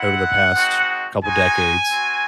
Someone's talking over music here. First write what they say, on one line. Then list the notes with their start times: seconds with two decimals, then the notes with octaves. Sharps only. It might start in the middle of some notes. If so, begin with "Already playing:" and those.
over the past couple decades
Already playing: C4 E4 F#5
0.55 G#3 C4 D#4 F#4
1.23 G#3 D#4 F#4 G#5
1.90 C4 F#4